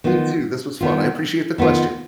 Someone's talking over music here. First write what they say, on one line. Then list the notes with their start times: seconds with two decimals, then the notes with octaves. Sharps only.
You too, this was fun. I appreciate the question.
0.04 D#3 B3 F4
0.81 D#3 B3 F4
1.58 D#3 B3 F4